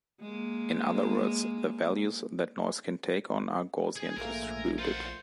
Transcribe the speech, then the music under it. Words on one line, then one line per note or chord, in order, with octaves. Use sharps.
In other words, the values that the noise can take on are Gaussian-distributed.
G#3 A#3
G#4 G#5
A#1 G#2 A3 A#3 A#4
A#2
F4 A#4 C5 F#5